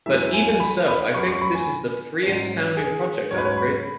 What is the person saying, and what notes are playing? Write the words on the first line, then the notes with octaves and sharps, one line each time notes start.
But even so, I think this is the freest sounding project I've created.
F#2 E3 G#3 E5
G#5
G#5
B5
B5
F#2 F#3 C#4 C#6
C#6
B5
G#5
G#2 F#3 C#4
G#4
G#2 F#3 C#4 C#5
B4
C#5
B5